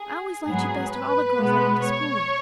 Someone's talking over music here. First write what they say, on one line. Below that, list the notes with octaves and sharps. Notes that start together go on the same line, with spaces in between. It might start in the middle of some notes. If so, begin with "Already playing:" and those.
I always liked you best of all the girls I went to school with.
Already playing: G#4
G#2 F#3 B3 G#4
B4
B2 G#3 B3
C#5